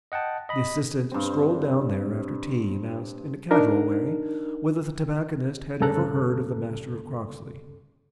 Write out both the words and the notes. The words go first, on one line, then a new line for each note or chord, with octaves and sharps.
The assistant strolled down there after tea and asked, in a casual way, whether the tobacconist had ever heard of the Master of Croxley.
D#5 F#5 G5 A5
D#5 B5
G2 C4
D4 D#4 A#4
D2 G2 C#3 A4 A#5 F#6